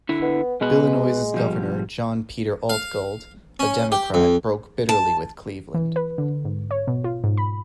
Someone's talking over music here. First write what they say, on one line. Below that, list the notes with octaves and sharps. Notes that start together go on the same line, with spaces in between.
Illinois's Governor John Peter Altgeld, a Democrat, broke bitterly with Cleveland.
D3 E4
B3
B2 G#3 B3 B4
B2 F3 G3
F5
C#4
G4
F2
A5
E3
B4
D3
G#2
C#5
B2
F4
G#2
B5